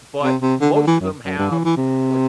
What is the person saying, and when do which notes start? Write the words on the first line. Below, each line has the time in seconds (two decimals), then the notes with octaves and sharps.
but most of 'em have, like,
0.23 C3
0.42 C3
0.61 D3
0.75 D3
0.87 E3
1.00 F#2
1.25 F#2
1.39 G2
1.51 E3
1.65 E3
1.77 C3